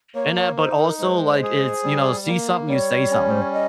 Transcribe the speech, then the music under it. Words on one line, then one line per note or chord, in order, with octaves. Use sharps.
in that, but also, like, it's, you know see something, you say something.
A#3 C#5
C#5
D#4 C5
A#4
G#3 C5
G#4
G3
A#3
G3 C#5
C#4
C5
C#5
D#5